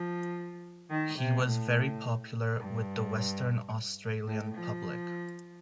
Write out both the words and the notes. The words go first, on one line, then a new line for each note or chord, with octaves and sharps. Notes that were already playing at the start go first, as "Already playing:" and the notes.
He was very popular with the Western Australian public.
Already playing: F3
D#3
C3
A2
G2
A2
F3